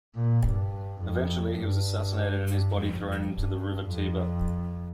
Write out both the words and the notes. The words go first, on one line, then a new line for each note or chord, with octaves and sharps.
Eventually, he was assassinated, and his body thrown into the river Tiber.
A#2
G2
F2
G2
G2
F2
F2
G2
F2